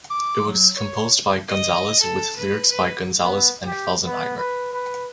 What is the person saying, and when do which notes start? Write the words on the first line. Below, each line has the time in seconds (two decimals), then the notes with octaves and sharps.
It was composed by Gonzalez with lyrics by Gonzalez and Felsenheimer.
0.10 D6
0.47 F#3
0.76 C#5
1.48 D#5
2.00 A4
2.36 B4
2.70 B4
3.20 B3
3.66 G4
4.04 B3
4.37 B4
4.73 B4